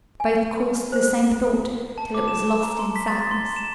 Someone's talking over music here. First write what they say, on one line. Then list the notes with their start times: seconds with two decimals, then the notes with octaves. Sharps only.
Both coursed the same thought till it was lost in sadness.
0.20 G#5
0.92 C5
1.98 A5
2.14 D6
2.28 E7
2.63 A#5
2.79 C6
2.96 B6
3.08 A6
3.31 C6
3.56 E7